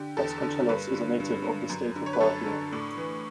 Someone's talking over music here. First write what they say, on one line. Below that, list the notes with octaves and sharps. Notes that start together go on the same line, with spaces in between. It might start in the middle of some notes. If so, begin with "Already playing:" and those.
Vasconcellos is a native of the state of Bahia.
Already playing: D3 G4
E2 A4
D3
G2 B4
D3
G2
D3
F#2
D3
C#5
B4
F#2 A4
D3
A2 D4
E3